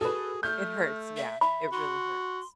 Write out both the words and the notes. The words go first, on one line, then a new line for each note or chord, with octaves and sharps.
It hurts, yeah, it really hurts.
F#4 G#4 A4 B4
A3 F6 G6
E5
E5 B5
F#4 C6